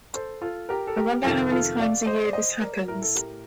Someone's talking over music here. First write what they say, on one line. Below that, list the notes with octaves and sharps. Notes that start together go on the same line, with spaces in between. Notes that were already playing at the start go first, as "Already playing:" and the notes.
I wonder how many times a year this happens.
A4 C5
F4 A4
G4 A#4
A4
G4 A#4
F2 C3 D#3 F4 A4
F4 A4
D5 F5
C5 D#5
D5
C5 D#5
A#4 D5
A2 A#4
A4
G4 A#4